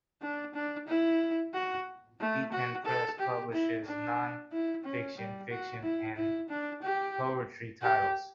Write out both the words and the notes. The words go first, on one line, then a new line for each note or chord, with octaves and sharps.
Beacon Press publishes non-fiction, fiction, and poetry titles.
D4
D4
E4
F#4
A3
F#4
A4
G4
E4
D4
E4
C#4
G3
F#4
E4
E4
D4
G4
G4